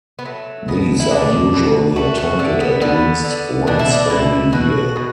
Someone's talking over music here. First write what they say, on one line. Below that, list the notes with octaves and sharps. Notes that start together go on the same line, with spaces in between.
These are usually attempted at least once every year.
B3
F#3 A3
B2 B3
E4
B2 D4
B2
A3 F#4
F#4
D3 A3
B3
D3 B3
D3
B2 D4
E4
D4
B2 E4
B2 F#4
B2